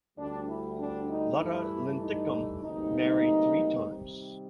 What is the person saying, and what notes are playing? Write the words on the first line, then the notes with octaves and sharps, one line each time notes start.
Lotta Linthicum married three times.
D2 D3 G3 D4
E4
D4
D#4
G2 E3 A3 D4 E4
D#4
D2 C3 E3 G3 A#3 D#4
C3 D#3 G3